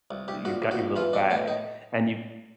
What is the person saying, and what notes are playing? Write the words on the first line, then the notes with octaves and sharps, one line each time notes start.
you've got your little bag, and you
C2
C2 G4
A#1 F#4
A#1
F#4
A#1
E3 F4
B1 D4
A2 D4
D#4